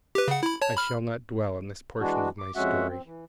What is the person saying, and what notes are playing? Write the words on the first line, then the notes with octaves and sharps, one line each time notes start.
I shall not dwell on this portion of my story.
G4 B4
C#3 F#5
E4 B5
C#5 A5
B5 F6
E3 G#3 D4 F#4
D6
F2 G#3 C#4 F#4 E5 F#5
C4
E3